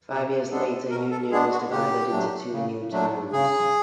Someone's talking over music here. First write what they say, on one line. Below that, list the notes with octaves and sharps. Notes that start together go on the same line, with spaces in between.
Five years later Union was divided into two new towns.
B2 G4
G#3 B3 D4 A4
B2 A#4
A4
G#3 B3 D4 G#4
F#4
C#3 G4
F#3 A3 D4
C#3
F#3 A3 D4
C#3 G#4